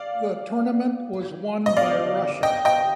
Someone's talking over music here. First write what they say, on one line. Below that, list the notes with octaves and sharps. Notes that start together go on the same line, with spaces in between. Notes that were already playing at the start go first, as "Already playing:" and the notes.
The tournament was won by Russia.
Already playing: D5 F5
D#5
D5 F5
D#5 G5
D#5 G5